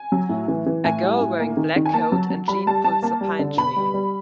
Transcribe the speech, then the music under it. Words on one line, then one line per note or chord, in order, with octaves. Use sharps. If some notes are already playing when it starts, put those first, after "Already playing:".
A girl wearing black coat and jean pulls a pine tree.
Already playing: G#5
F#3
A2
E3
E3
A2 G#5
G3
A2
A#3
D#3
D#3
G#5
A#3 A5
F#3
F#3
G3 B5
G3 A5
G3 A5
A#3 A5
G3
D3
B2 B5
G3
G3